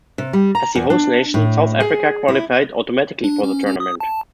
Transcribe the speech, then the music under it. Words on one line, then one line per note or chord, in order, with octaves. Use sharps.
As the host nation, South Africa qualified automatically for the tournament.
C3
G3
A#5
E2
D4
A2
G#4
E4
D4
C#4
C#4
D#6
A5